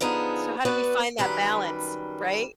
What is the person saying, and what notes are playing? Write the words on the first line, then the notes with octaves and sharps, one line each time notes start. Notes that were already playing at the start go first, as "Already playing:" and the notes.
So how do we find that balance, right?
D3 F3 B3 D#4 G#4
B3 F#4 B4 D5
F#2 D#3 G3 B4